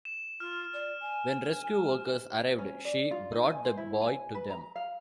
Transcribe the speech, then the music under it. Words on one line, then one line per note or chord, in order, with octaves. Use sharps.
When rescue workers arrived she brought the boy to them.
E7
F4 F6
D5
G#5
C#4
D5
F4
D#4
G#5
C5
E4
G#5
B4
A#5
F5